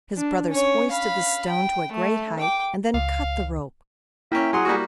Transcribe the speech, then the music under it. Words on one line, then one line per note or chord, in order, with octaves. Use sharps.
His brothers hoisted the stone to a great height, and then cut the rope.
D4
C#4 C#5
F5 B5
G5
A3
G5 D6
C#2 F5
A#3 C#4 E4 E5 G5
F#3 G#4 F#5 G#5 C6
G3 A#3 F#4